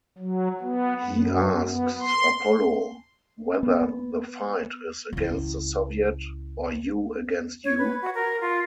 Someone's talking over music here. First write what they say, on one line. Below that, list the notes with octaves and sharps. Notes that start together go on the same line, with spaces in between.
He asks Apollo whether the fight is against the Soviet, or you against you?
F#3
B3
F#2
B3
C6
B3
C#2 E4
C#5
B4
F#4
A#4
F4